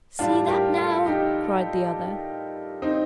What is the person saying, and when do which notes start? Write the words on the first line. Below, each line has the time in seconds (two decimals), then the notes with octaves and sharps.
'See that now!' cried the other.
0.19 A2 G3 D4 F4
0.48 G4 A#4
0.77 F4 A4
1.06 D#4 G4
2.82 C4 D#4